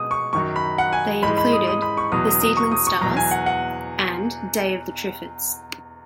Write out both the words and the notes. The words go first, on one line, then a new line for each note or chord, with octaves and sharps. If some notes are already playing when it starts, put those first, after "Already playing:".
They included "The Seedling Stars" and "Day of the Triffids".
Already playing: B2 G#3 D#6
C#6
F#2 D#3 F#3 C#6
B5
F#5
G#5
G#2 E3 G#3 B5
B5
D#6
D#6
B5
C#6
E2 B2 F#3 D#6
D#6
D#6
C#6
D#6
C#6
E2 B2 F#3 A#5
G#5
F#5
F#5